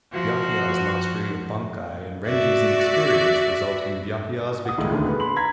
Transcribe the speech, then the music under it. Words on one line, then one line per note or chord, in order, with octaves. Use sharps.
Byakuya's mastery of bankai and Renji's inexperience result in Byakuya's victory.
F3 F#4
F#4 D5 E5
F#5 D#6
C#2 A2 D#3
D2 A#2 D3
B3 G#4
B5 C6 F#7
A#5 G#6 B6